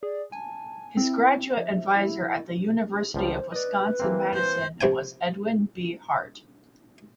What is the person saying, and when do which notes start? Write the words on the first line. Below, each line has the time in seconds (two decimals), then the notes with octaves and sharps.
His graduate advisor at the University of Wisconsin-Madison, was Edwin B. Hart.
0.03 G#4 D5
0.32 G#5 A5
0.97 C4 E4
1.57 F3 E5
1.94 E4
3.14 C#2 F3 G3 C5
3.52 B4 D5 D#5
4.00 E3 A#3 C4
4.34 C5
4.81 A#1 C3 G5 G#5